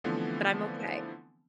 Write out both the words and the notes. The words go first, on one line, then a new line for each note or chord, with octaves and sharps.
but I'm okay."
D3 E3 F3 A3 B3 C4